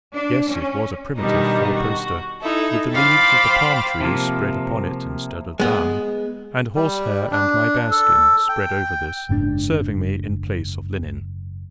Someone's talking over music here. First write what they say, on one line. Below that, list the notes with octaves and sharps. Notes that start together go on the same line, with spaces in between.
Yes, it was a primitive four-poster, with the leaves of the palm-tree spread upon it instead of down, and horsehair and my bearskin spread over this serving me in place of linen.
D4
C#4
B2 D#3 G3 D4 D#4
F#4
D#4 E4 A4
C5 F5 G5 B5 D6 A6
C3 F3 A#3
G#3 B3
G3
D4
A4
G5
F#1 G#2 C3 D4